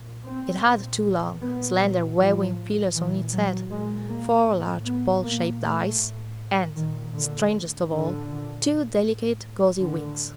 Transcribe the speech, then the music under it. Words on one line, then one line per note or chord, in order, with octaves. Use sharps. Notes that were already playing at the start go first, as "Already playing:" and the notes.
It had two long, slender, waving feelers on its head, four large ball-shaped eyes, and, strangest of all, two delicate gauzy wings.
Already playing: A#2
C4
A#2
A#2 B3
F#3
A2 F3
A#2 E3
F#3
A#2 G#3
A#3
A2
B3
A#2 A#3
A3
A2
A#2 D#3
D3
A2
D3
A#2
A2
A2 D3